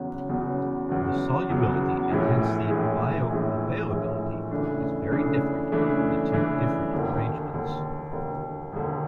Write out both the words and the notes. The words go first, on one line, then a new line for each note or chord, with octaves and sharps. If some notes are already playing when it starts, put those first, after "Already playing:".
The solubility and hence the bioavailability is very different in the two different arrangements.
Already playing: E2 C#3 F#3 B3
E2 C#3 F#3 B3
E2 C#3 F#3 B3
E2 C#3 F#3 B3
A#1 A2 E3 G#3
A#1 A2 E3 G#3
A#1 A2 E3 G#3
A#1 A2 E3 G#3
C#3 E3 A3 D4
C#3 E3 A3 D4
C#3 E3 A3 D4
C#3 E3 A3 D4
E1 D#2 D3
E1 D#2 D3
E1 D#2 D3
E1 D#2 D3